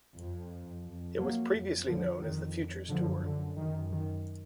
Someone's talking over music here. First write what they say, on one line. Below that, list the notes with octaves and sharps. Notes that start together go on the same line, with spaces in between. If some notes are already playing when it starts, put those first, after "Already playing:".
It was previously known as the Futures Tour.
F2
F2
F#3 A#3
F2
D3 F3
F2 D#3
F#2 D3 F3
D3
F#2 D#3
D#3